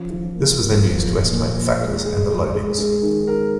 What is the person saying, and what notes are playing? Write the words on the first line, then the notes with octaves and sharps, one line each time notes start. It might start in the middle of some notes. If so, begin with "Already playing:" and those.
This was then used to estimate the factors and the loadings.
Already playing: F3 C#4
F3
A#3
A#3
F3
A#2
A#2
A#3
G#3
G#4
G#3
G#3
G#3
D#3
A#4